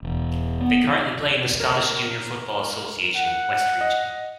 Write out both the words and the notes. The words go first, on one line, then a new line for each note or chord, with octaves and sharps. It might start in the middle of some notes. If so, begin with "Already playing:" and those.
They currently play in the Scottish Junior Football Association, West Region.
E1
B3
A#4
F#5
D#5